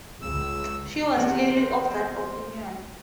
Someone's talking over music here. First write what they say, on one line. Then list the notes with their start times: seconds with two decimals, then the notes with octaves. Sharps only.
She was clearly of that opinion.
0.22 C#2 E6
1.15 E2 C3 C5 F#5